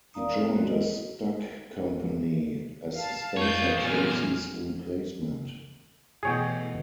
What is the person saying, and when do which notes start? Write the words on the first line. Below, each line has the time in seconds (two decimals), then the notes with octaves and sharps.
He joined a stock company as Spencer Tracy's replacement.
0.14 A#4 D5 F5 A#5 D#6
0.32 C4 A4
0.53 G#3 F#4 A#4
0.68 E4 D#5
2.96 F5 A5
3.37 F2 F4 C#5 G6
3.78 E2 A#2 F4 G#4 F6
6.23 B2 E3 A3 G#4 C#5 G5